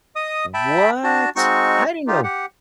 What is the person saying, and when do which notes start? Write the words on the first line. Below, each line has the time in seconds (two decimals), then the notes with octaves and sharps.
What! I didn't know
0.16 D#5 D#6
0.54 E5 G5 A5 B5
1.04 D4 F#4 A5
1.36 G#3 C4 D#4 F#4 C#6
2.08 D#4 F4 G4
2.24 G4 F#5